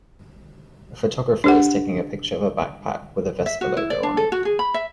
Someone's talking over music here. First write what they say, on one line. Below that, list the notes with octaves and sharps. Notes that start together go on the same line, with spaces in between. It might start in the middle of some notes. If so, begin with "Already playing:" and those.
A photographer is taking a picture of a backpack with a Vespa logo on it.
D4 G4 F#5
E5
F#4
E4
D5
D4
A4
F#4
G#4
B5
E5